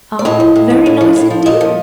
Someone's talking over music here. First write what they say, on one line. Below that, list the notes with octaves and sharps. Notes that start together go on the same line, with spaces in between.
Ah! very nice indeed.
D5
A2 D#5
F3
A2
F3
A2
F3
A2
F3
A#2 D#5
F3